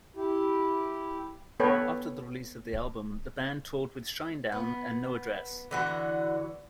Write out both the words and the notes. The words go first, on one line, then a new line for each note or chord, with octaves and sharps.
After the release of the album, the band toured with Shinedown and No Address.
E4 G4
B3 A4 B4 C#5 G5
B3
D3 E3 F#4